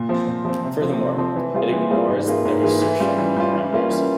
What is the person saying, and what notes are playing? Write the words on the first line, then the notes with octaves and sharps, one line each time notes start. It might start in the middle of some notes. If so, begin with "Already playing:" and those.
Furthermore, it ignores the assertion parameters.
Already playing: A#2
F3 C4
A#2
F3 C4
C3
F3 C4
C3
F3 C4
E3
G3 C4 F4 G#4
E3
G3 C4 F4 G#4
G#2
E3 A#3 F4 G#4
G#2
E3 A#3 F4 G#4
E3
G3 C#4 F4
E3
G3 C#4 F4
E3
G3 A#3 C#4 F4
E3